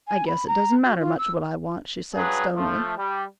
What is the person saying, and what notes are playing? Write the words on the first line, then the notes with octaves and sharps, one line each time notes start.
"I guess it doesn't matter much what I want," she said stonily.
G#5
B5
A#5
F#4
F4
E6
G2 F#3 G#4 B4
F3 A3
G3